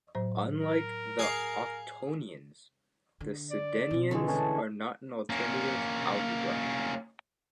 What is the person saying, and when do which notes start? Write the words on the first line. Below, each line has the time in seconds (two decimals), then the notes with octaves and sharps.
Unlike the octonions, the sedenions are not an alternative algebra.
0.15 A2 F#3 C5
0.61 A#4
1.19 G#4 F5
3.21 D3
3.51 D5
3.91 B2 C4
4.11 D3 E3 G#3 C#6
4.27 G#3 A3 C#4 D4
5.30 A#3 C#4